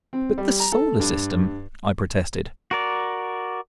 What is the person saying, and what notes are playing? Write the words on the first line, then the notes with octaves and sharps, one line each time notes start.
"But the Solar System!" I protested.
C4
G3
A#5
A4
G2
F#4 A#4 D5